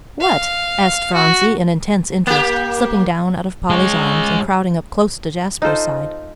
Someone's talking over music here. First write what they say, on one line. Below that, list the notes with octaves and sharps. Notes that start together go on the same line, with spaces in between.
"What?" asked Phronsie in intense interest slipping down out of Polly's arms, and crowding up close to Jasper's side.
F5
F#4
A#3 G4
G#3 C#5
D#4 F4 A4 C5